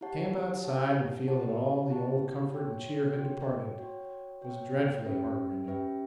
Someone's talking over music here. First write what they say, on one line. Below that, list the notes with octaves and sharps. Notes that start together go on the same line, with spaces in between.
To camp outside and feel that all the old comfort and cheer had departed, was dreadfully heartrending.
E4 G4 C#5 F#5 A5
E4 G4 C#5 F#5 A5
E4 G4 C#5 F#5 A5
E4 G4 C#5 F#5 A5
F#4 C#5 G5
F#4 C#5 G5
F#4 C#5 G5
F#4 C#5 G5
C#4 G4 B4 E5 G5
C#4 G4 B4 E5 G5